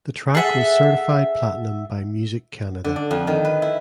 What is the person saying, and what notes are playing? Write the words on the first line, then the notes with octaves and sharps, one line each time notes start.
The track was certified Platinum by Music Canada.
G#4 A4 E5 F#5
D3
D4
F2
D#3
B4
E4